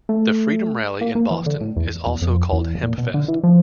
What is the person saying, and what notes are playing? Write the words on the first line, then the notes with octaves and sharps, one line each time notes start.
The Freedom Rally in Boston is also called Hempfest.
A3
A#3
A#3
E3
D3
A2
E2
E2
F2
E2
A#2
B2
D3
E3
F3